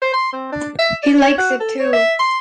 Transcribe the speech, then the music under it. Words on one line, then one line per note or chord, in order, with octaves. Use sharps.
He likes it too.
C5
C6
C4
D4
E5
D5
C#5
F#4
A4
C#5
E5
C6